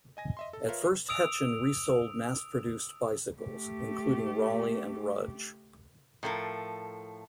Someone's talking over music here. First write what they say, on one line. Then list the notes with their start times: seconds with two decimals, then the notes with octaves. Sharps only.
At first Hetchin resold mass-produced bicycles, including Raleigh and Rudge.
0.17 D#5 G#5 A#6
0.37 D#5 E5 C6
0.53 A4
0.69 F4 A#4 B4 C#5 E5 F5
1.09 D#6 E6 D7 F7
3.39 A3 G4
6.23 A2 F3 A4 A#4